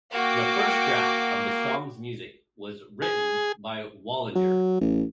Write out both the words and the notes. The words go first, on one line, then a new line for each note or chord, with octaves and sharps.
The first draft of the song's music was written by Wallinger.
A#3 F#4 G5 D6
G#4
F#3
A1